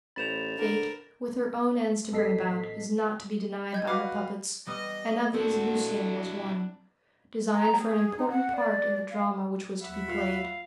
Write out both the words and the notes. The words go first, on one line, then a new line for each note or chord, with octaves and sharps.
Fate, with her own ends to bring about is not to be denied by her puppets; and of these Lucian was one, designed for an important part in the drama which was to be played.
A1 C5 B5 A6 E7 F7
D3 A#4
A1 B3 A4 D#5 B6 C7
D#5 G6 G#6
F#4 B4 F5 D6
G3 B3 D#5 D#6
C4 D4 E4 F#4 A4
A#5
G#4
D#4
F#5
D5
F5
D#2 E5 F#5 B5
F4 F5